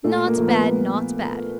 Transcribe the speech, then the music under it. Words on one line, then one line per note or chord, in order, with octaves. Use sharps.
Not bad, not bad.
A#2 A3 A4
A#3 A#4
F3 A3
B3 B4